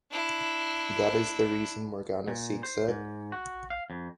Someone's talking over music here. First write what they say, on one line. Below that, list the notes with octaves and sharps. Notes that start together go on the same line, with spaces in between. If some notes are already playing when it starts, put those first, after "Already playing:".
That is the reason Morgana seeks it.
D4 E4
A#2
C5
G#2
F#4
F5
F2